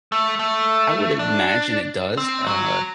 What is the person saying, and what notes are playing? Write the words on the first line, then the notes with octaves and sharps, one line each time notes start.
I would imagine it does, uh,
A3
A3
D4
C4
F#3